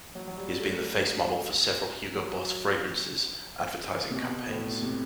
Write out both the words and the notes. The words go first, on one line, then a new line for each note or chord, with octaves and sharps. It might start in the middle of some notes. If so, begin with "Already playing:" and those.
He has been the face model for several Hugo Boss fragrances advertising campaigns.
F#3
F#3
G3
A3
F#3
C3
B2
A2
C3